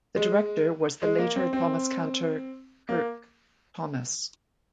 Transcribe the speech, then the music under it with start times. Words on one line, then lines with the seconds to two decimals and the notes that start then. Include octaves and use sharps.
The director was the later Thomaskantor Kurt Thomas.
0.16 G#3
1.02 G#3
1.19 A#3
1.36 C4
1.53 C4
2.89 A#3